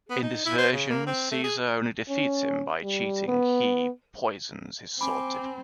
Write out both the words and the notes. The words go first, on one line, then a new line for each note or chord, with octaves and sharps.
In this version Caesar only defeats him by cheating-he poisons his sword-tip.
B3
D#4
E4
C5
C#3
A#3
C4
A3
G#4
C#4
G3
B3
C4 G#5 B5 D6